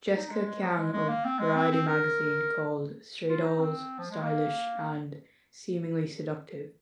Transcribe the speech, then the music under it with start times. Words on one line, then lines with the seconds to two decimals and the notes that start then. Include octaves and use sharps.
Jessica Kiang of "Variety" magazine called "Stray Dolls" "stylish" and "seemingly seductive".
0.15 D#4
0.30 G#3
0.46 G#3
0.62 F3
0.78 G#3
0.93 G#3
1.09 A#3
1.25 C4
1.40 G#3
1.56 C4
1.71 C4
1.87 A#4
3.29 F4
3.44 D#4
3.60 C4
3.99 F3
4.11 G#3
4.22 A#3